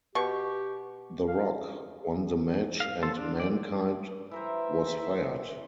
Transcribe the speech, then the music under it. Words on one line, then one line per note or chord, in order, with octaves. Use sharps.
The Rock won the match and Mankind was fired.
B2 G4 C#6
F5
F5
A4 C5 A5
D4
D5
E3 A#4 C5 E5